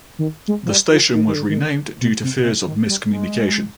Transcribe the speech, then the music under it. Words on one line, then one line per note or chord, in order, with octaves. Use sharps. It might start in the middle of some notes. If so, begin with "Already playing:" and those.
The station was renamed due to fears of miscommunication.
D#3
G#3
F3
G3
F3
D#3
D#3
D3
D#3
D3
B2
C3
B2
C3
D#3
G3
G#3